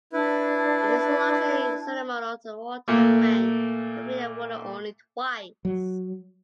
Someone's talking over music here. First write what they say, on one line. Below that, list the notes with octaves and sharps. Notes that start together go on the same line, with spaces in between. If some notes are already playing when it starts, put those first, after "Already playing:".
It is a largely ceremonial or wartime rank, having been awarded only twice.
D4 E4 B4
A#2 A3 A#3
F#3